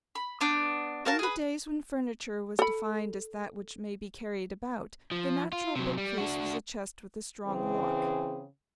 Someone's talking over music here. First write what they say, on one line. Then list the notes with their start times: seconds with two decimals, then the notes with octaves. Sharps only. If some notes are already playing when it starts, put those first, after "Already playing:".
In the days when furniture was defined as "that which may be carried about," the natural bookcase was a chest with a strong lock.
0.15 B5
0.41 B3 D4 G6
1.05 F#4 A#4 F5 A5
1.19 G#4 B4
2.59 A4 B5
5.12 F3
5.53 F4
5.75 C3 F#3
5.98 G3
6.18 D4 F#4
7.47 C#3 E3 C4 G#4